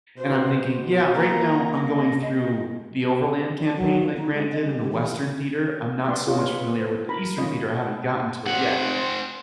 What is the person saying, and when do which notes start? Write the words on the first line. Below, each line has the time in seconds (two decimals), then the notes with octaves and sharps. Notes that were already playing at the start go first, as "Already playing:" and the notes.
and I'm thinking, "Yeah, right now I'm going through the Overland Campaign that Grant did in the Western Theater, I'm not so much familiar with the Eastern Theater, I haven't gotten to it yet."
0.17 B2 C5
1.14 A#3 A#5
1.73 D#5
3.63 D4
3.76 F#3
4.00 F3
4.17 D#4
4.33 G#3
4.52 D#5
4.66 G3
4.79 G4
4.91 E3
6.09 B3 D5 C6
6.27 F4 C#5 D#5
6.51 B3
6.79 C5
7.09 A#4 B5
7.38 D#3 C#4 F4 D#5
8.47 C4 F#5